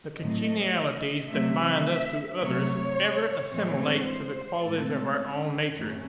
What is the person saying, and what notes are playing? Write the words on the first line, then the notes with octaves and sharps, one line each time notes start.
The congenialities that bind us to others ever assimilate to the qualities of our own nature.
A2 F#3 C4 D#5
C3 F#3 A3 C4 E5
C3 F#3 A3 C#5
A2 E3 G#3 C4 C#5
C5
A2 G#3 C4 A4
C#4
F#2 D#3 F#3 A3 C4 C#4